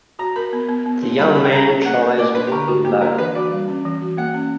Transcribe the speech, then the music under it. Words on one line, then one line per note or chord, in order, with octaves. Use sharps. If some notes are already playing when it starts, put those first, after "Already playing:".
The young man tries in vain.
F#4 A#5
A#4 B5
B3
B3
B3
D4
G3 B5
G4 B5
G5
C#4 A#5
E4
A#3 F#5
A#4
A#3 D5
D4 B4
G4
D3 A#4
F#4
A#3 G4
D4 A#4
E3 B4
F#4 D5
G3
C#4
E3
F#4
A#3 F#5
C#4